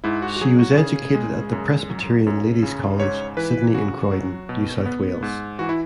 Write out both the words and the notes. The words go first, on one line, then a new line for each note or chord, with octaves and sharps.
She was educated at the Presbyterian Ladies' College, Sydney in Croydon, New South Wales.
G#2 E4
F#4
F#4
F#3 G#4
F#4
C#3 G#4
G#3
F#2
F#3
F#2
C#3
G#2 C#5
E3 B4
C#3 F#4
F#3
B2
B3
G#2
E3 F#4
E4